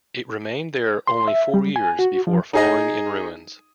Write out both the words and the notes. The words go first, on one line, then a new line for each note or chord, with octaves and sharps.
It remained there only four years before falling in ruins.
C6
E5
G3
G#5
F#4
F3
D#4 G#4 D#5